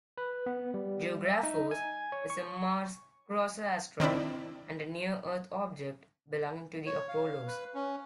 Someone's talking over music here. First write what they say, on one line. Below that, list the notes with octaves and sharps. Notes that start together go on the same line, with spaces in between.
Geographos is a Mars-crosser asteroid and a near-Earth object belonging to the Apollos.
B4
B3
G3
E5
D#4
G#5
C#5
C#6
D#3 C4 D4 E4
C#5
F5
B4
C#4